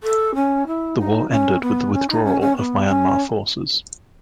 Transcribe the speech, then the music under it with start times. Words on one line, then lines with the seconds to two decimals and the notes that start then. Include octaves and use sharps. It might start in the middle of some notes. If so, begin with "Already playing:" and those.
The war ended with the withdrawal of Myanmar forces.
0.03 A4
0.35 C#4
0.66 E4
0.98 D#4
1.30 C#4
1.61 B3
1.93 C#4
2.09 D#4
2.25 C#4
2.40 C#4
2.56 B3
2.88 C#4